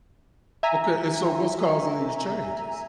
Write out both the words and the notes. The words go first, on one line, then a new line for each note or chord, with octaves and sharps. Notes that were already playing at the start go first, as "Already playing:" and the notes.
Okay, and so what's causing these changes?
E5 G#5 A#5